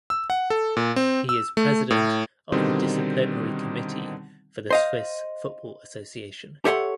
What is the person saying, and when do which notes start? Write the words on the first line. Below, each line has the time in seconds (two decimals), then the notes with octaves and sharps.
He is president of the Disciplinary Committee for the Swiss Football Association.
0.10 E6
0.30 F#5
0.50 A4
0.77 A#2
0.96 C4
1.29 E6
1.57 A3
1.91 A2
2.52 B2 D3 D#3 G3 C4 D#4
4.70 C5 D#5 F5
6.65 G4 A4 C#5 E5 F#5 C6